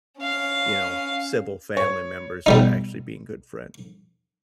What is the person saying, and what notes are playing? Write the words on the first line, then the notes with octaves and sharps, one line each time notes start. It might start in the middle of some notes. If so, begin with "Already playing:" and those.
you know, civil family members to actually being good friends.
C#4 F5
C#5
B2 G3 D#4